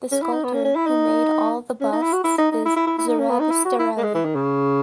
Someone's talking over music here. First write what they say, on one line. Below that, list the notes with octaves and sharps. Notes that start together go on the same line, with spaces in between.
The sculptor who made all the busts is Zurab Tsereteli.
C#4
E4
D#4
B3
C#4
C#4
E4
D#4
C#4
D#4
E4
F#4
E4
D#4
D#4
E4
E4
E4
E4
D#4
C#4
B3
D#4
E4
F#4
E4
A#3
G#3
E3
D#3
C#3